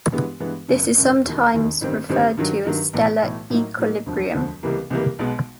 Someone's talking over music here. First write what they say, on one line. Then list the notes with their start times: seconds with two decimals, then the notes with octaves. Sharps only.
This is sometimes referred to as stellar equilibrium.
0.12 G2 E3 G#3 B3
0.40 G2 E3 G#3 B3
0.68 G#1 F#2 C#3
0.97 G#1 F#2 C#3
1.24 E1 D#2 D#3
1.53 E1 D#2 D#3
1.81 A1 G2 D#3 G3 C4
2.09 A1 G2 D#3 G3 C4
2.37 G2 D#3 F#3
2.65 G2 D#3 F#3
2.93 B1 A2 E3 A3
3.21 B1 A2 E3 A3
3.50 A2 F#3 A#3 D#4
3.78 A2 F#3 A#3 D#4
4.06 E1 D2 D3 F3
4.34 E1 D2 D3 F3
4.63 C#2 C3 E3 G3 A#3
4.90 C#2 C3 E3 G3 A#3
5.19 B1 B2 G#3 B3